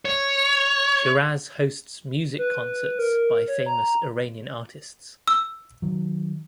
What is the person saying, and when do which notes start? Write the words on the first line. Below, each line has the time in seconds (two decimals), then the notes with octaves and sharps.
Shiraz hosts music concerts by famous Iranian artists.
0.05 C#5
2.38 B4
2.99 A#4
3.48 C#5
3.66 A#5
5.28 E6
5.82 D#3 F#3